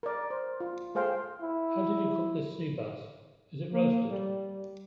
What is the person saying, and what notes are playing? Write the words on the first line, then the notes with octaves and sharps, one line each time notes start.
How did you cook this seabass? Is it roasted?
A#4 D5
C5
F4
A3 G#4 C5 F5 G5
E4
A#3
G3